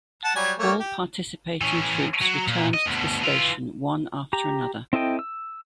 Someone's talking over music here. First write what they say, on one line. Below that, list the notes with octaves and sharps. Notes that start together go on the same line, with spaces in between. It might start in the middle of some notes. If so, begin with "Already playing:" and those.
All participating troops returned to the station one after another.
F#5 A5
F#3 G3 G#5
A3 A#3 C#5
G4
E3 C#4
F#3
A#2
D#5
D2 B2
E3 F4
G4 A#5
C4 E4 A4 D#5 G5
E6